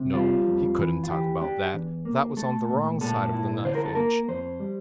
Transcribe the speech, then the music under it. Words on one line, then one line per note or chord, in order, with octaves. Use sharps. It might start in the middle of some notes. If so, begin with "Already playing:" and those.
No, he couldn't talk about that; that was on the wrong side of the knife-edge.
Already playing: C3
G3 F4
F2
E3
F4
E3 G4
D4 G4
E2
A#3
A3 A4
A#2
A#2 A4
E4
D3 C5
A#4
A4
A#3 A#4
F2 C5
G3